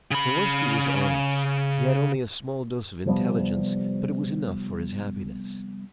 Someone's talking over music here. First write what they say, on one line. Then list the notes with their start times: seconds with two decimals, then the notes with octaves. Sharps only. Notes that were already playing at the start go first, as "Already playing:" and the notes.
Zawoiski was honest, he had only a small dose of intelligence, but it was enough for his happiness.
0.11 C#3 B5
3.06 C3 F3 G3 B3